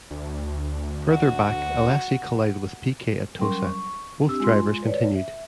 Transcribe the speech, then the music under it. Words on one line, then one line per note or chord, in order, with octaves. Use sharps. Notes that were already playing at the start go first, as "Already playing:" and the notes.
Further back, Alesi collided with Piquet at Tosa; both drivers continued.
D2
F#4
F#3 G3 C#4 A#4 C6 C#6
C#6
C4 D4 G4 E6
G#3 F4 C6
B4 C#5 D5
E5